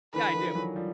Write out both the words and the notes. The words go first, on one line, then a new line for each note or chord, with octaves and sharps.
Yeah, I do.
D3 E3 B4
D#3 F3
E3 F#3
F3 G3